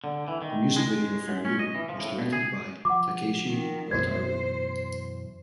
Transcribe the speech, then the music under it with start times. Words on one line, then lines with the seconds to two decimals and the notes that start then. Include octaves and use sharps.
The music video for "You" was directed by Takeishi Wataru.
0.04 D3
0.28 E3
0.42 D#3
0.76 G#3
1.28 F#2
1.45 C#4
1.59 D#5
1.75 E3
1.89 F3
2.02 A2
2.18 B2
2.33 G#4
2.85 F3 F#5 D6
3.47 D#3
3.91 F#2 B2 E3 C5 G#6